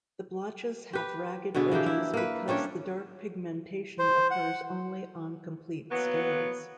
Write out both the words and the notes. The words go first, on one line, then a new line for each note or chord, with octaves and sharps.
The blotches have ragged edges because the dark pigmentation occurs only on complete scales.
G4 B4
B2 D3 B3 G#4
E3 A#3 D4 G4
E4
A#3 B4
G3 C#4 D4 C#5
C5
F#5
F#3 A#3 B3